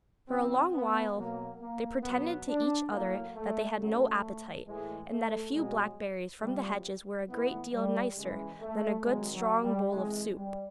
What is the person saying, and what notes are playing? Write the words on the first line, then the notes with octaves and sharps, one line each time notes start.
For a long while whey pretended to each other that they had no appetite, and that a few blackberries from the hedges were a great deal nicer than a good strong bowl of soup.
C3 E3 C4
B3
B2 F#3 A#3
A#3
B2 F#3 B3
D4
A2 F#3 A#3
A3
C#3 F#3 A3
A2 E3 G#3
A3
B2 F#3 G#3
C3 F3 G3
A2 E3 B3
G3
C#3 E3 G#3
A3
C3 D#3 F#3 G#3
F#3
G3
C3 E3 G#3
G3